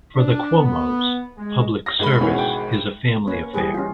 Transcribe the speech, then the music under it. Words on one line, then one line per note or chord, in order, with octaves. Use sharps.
For the Cuomos, public service is a family affair.
D4
B3
G#3
A#6
G#1 G#3 B5
B2 D#3 E3 C#4 F#4
G5
A#3 C#4 B4 C#5
E3 G3 G4 G#4 B4
C#4 F4